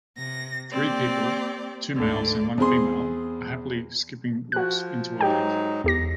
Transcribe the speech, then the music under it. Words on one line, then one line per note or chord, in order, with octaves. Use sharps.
Three people, two males and one female are happily skipping rocks into a lake.
C3 A#6
A#3 C4 G4 D5
D2 G#2 D3 D5
E2 C4 G#4 C6
F3 F#4 F#6
G#2 F#3 D#4 G4 G5
E2 G4 A#6